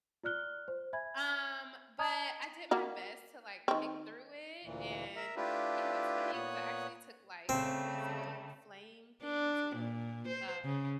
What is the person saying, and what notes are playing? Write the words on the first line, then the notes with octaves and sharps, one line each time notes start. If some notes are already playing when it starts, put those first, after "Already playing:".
Um, but I did my best to, like, pick through it, and, you know, it's funny 'cause I actually took, like, what are those little flame things, little, uh,
F4 D5 F6 F#6 G7
C5
E5 G#5 B5 G#6
D#5 A5 A#5 D#6 G#6
A#3 F#4 F5
D#3 C4
D2 A#2 E3
A#4 E5
A3 D4 E4 F4 G4 B4
A#2 B3 C#5 D#6 F#6
C#3 G3 A3 C4
D4
A#2
C5
C#3